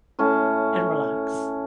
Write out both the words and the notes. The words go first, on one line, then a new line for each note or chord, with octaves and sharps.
and relax."
A2 C#4 A5